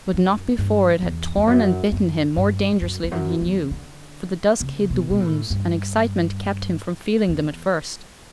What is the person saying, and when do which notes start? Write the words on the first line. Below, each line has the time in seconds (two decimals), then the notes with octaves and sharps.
But not before it had torn and bitten him more dangerously than he knew; for the dusk hid the wounds, and excitement kept him from feeling them at first.
0.13 F#2
0.58 G2
1.03 E2
1.37 E2
1.47 F#2
1.92 F#2
2.37 G2
2.81 F#2
3.04 E2
3.11 F#2
3.41 E2
3.71 D3
4.60 C#3
4.90 B2
5.10 B2
5.20 A2
5.50 G2
7.29 E2